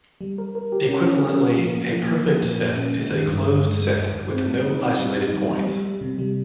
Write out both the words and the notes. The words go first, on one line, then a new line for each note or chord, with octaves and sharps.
Equivalently, a perfect set is a closed set with no isolated points.
G3
A#4
A#4
G4
C#4
C#4
C#4
A#4
F3
A#3
F3
A#3
F3
A#2
A#2
C#4
G#3
D#3
G2
G#3
G#3
G#3
G2
G2
C4
G3
D#4
C4
G3
D#4
G3
G3
G3
G3
C3
G3